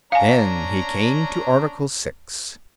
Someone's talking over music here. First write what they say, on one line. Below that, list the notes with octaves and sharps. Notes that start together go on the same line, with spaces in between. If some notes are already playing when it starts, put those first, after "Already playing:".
Then he came to Article Six.
C#4 D4 F5 G#5 A#5